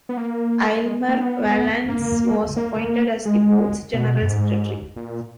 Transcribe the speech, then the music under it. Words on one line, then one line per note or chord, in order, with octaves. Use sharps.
Aylmer Vallance was appointed as the board's General Secretary.
B3
A#3
G#3
A#3
B3
A#3
A#3
G#3
B2
F#2
G#2
A#2